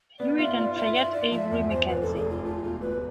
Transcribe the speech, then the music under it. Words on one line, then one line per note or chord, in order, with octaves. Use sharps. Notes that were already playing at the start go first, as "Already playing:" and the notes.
Hewitt and Fayette Avery McKenzie.
B3 D5
F4 E5
F4 D5
F4 E5
F4 E5
F4 D5
F3 E5
E2 E5
E2 C5
F1 B4
A4
F1
G#4
F1 F4
A3 F4
G#4
E1 F4
D2 B4